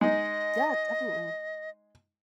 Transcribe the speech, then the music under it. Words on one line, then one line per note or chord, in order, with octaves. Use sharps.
yeah, definitely.
G#3 D#4 D#5